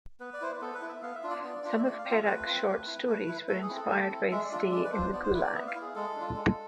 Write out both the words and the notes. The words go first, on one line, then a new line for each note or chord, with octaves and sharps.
Some of Perakh's short stories were inspired by his stay in the gulag.
B3 B4
D5
E4 C5
B4
B3 A4
B4
E4
E5
B3 F5
E5
D4 F4
D5
B3 D5
D4 F4
E5
A3 D5
F5
C4
F4 E5
A3 B4
C4 F4
A3
E4
A3
E4
A3 A4
G#4
C4 E4
A4
A3
C4 E4
G#3 E5
D5
D4 F4
E5
G#3 D5
B4
D4 F4 C5
B3 D5
C5
E4 B4
D5
B3 E5
F5
E4
G#4
G#3 A4
D4 F4
G#3